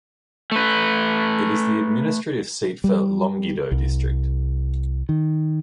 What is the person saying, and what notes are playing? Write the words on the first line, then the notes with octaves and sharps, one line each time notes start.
It is the administrative seat for Longido District.
A3 B4
G3
C2
D#3